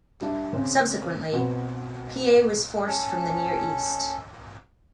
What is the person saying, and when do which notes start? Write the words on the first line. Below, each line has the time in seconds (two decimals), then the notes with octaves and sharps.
Subsequently, Piye was forced from the Near East.
0.21 G3 D4 E5
0.53 C#3 C4
1.32 B2 C4 F#4 B4
2.86 C#4 A4